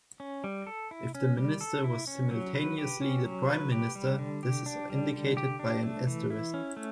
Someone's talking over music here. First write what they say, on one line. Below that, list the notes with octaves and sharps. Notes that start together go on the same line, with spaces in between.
If the Minister was simultaneously the Prime Minister, this is indicated by an asterisk.
C#4
G3
A4
E4
C#4
G3
A4
E4
C#4
F#3
B4
G4
C#4
F#3
B4
G4
G3
D3
G4
D4
G3
D3
G4
D4
A3
E3
E4
C#4
A3